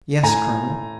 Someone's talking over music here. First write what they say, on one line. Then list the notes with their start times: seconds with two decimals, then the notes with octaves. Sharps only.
"Yes, colonel."
0.23 A2 G#5 A#5